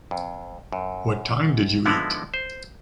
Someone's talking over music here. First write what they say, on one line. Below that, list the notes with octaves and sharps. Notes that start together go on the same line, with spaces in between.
What time did you eat?
F2
F#2
D3 F3 G#3 B3 D#4 E4
C5